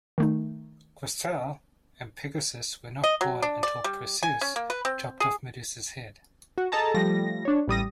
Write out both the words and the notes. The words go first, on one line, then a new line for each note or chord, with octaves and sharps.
Chrysaor and Pegasus were not born until Perseus chopped off Medusa's head.
D#3 A3 D#4
D#5
F#3
D4
D5
G3
G#5
C#4
A#3
B4
C4
G#4
F#4
G#4 A4 D#5 A5 A#5
F3 G3 A3 A#6
D4 C#5
A1 G3 D#6 A#6